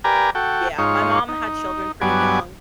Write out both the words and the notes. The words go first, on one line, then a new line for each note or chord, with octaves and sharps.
Yeah, my mom had children pretty young,
G4 A#4 B4 D5 G#5 A#5
F#4 A4 G5
G#2 D#4 F4 C#5
D#4
G2 F#3 B3 D5 G#5